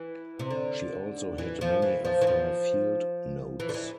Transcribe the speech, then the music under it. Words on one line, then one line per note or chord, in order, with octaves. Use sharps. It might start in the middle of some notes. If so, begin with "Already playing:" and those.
She also hid many of her field notes.
Already playing: E3
C3
D3
E3
F3
E3
F3
E3
F3
E3
D3
E3